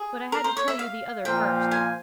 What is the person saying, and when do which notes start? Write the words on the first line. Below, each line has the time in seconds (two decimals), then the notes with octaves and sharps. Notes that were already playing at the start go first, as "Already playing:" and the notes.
But I had to tell you the other first.
Already playing: G#4
0.32 A#4
0.44 C5
0.57 C#5
0.68 E5
0.79 F5
1.25 A#2 F3 A#3 F4 C5 G5
1.71 G#5